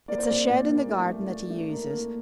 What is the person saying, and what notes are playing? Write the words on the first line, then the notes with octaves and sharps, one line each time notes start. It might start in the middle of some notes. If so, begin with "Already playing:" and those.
It's a shed in the garden that he uses.
A#3 D5
C5
A#2 D5
A#2
A#3
A3
A3
A3
A3
A#3 A#4
A#3